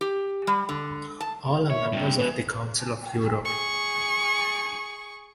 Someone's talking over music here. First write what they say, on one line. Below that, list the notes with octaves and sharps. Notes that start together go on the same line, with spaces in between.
All are members of the Council of Europe.
G4
G3
D3
A5
C#5 E5
G2 C3
B2 E3 B4
G#4 C#6